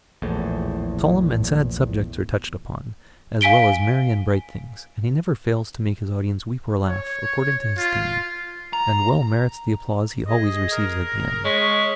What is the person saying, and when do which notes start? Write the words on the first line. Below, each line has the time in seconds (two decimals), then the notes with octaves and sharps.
Solemn and sad subjects are touched upon, as well as merry and bright things, and he never fails to make his audience weep or laugh, according to his theme, and well merits the applause he always receives at the end.
0.22 A#1 E2 A2
3.41 F5 G#5 B6 D7 G7
6.88 C#5
7.78 F4
8.73 A#5
10.27 G#4 D#5
10.72 A#4
11.45 G#3 C#5 B6